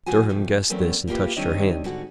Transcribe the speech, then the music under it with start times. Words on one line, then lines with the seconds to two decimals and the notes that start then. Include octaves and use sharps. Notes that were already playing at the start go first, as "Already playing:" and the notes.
Durham guessed this and touched her hand.
0.06 F2 A2 F3 F#4 C5 G#5
0.29 C3 F3 A3
0.70 E2 F#3 A3 A#3 C4 C#4
1.07 A3 A#3 E4 F4 G4 B4
1.37 D#3 G3 C4 D4 C#5 D#5
1.84 G#2 D3 F#4